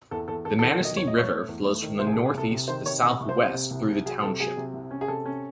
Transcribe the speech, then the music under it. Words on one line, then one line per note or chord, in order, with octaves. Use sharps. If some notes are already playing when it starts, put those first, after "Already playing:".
The Manistee River flows from the northeast to the southwest through the township.
E2 A4
E2 A4
E2 A4
A4
D#3
A4
E1 D#5
E2 C#5
D#5
A3 C#5
A3
E2
A3
D#3
C2 C5
G#4
A4
C2
G#4
C2 A4
C3
D#3 C5
C3 C#5
C3 D#5
C2
C5
C3
C3
C2
C2
F#3 G#4
C3 A4
F#3 G#4
C3
C2
C#4
G#4
C3 A4
C#4